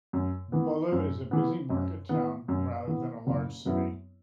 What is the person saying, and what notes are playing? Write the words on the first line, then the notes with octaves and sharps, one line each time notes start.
Bolu is a busy market town rather than a large city.
F#2
E3 B3
F#2
E3 B3
F#2
E3 B3
F#2
E3 B3
F#1
F#2 F#3 B3 E4